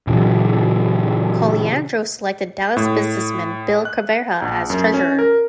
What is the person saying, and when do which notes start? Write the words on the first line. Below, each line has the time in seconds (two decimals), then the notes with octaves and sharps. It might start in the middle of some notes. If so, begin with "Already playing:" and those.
Colyandro selected Dallas businessman Bill Ceverha as treasurer.
0.07 A#2 C#3 E3 F#3
2.77 A2
3.85 F#6
4.42 A#1
4.70 F#2
4.94 C#4
5.19 A#4